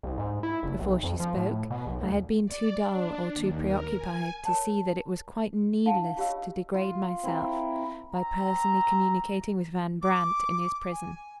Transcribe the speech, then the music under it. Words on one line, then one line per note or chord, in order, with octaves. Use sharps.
Before she spoke, I had been too dull or too preoccupied to see that it was quite needless to degrade myself by personally communicating with Van Brandt in his prison.
C2
G#2
E4
F#1
B1
F2
F3
A2
B2
B1
D2
D5
D4
D#2
A#4
G#5
A#4 C#5 A5
D4 D#4 F5 F#5 A5
F4 G4 C#5 D#5 F5 E6
F4
C4 E4 A#4
C4 A#5
D6
G#5